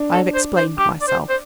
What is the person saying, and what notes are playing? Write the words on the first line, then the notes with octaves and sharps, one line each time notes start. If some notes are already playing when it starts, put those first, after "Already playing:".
I have explained myself.
Already playing: D4
A4
C5
C5
G4
D5
C5
C5